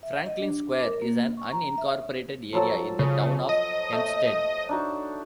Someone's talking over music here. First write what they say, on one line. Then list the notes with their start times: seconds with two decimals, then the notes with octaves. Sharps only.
Franklin Square is an unincorporated area in the Town of Hempstead.
0.03 E5
0.26 D#5
0.40 D4
0.71 D6
0.85 A#4
1.02 A#3
1.37 C#6
1.52 A#5
1.78 E5
2.53 F3 F#3 A4
2.99 C#3
3.49 D#5
3.93 A3
4.69 D4 D#4 F#4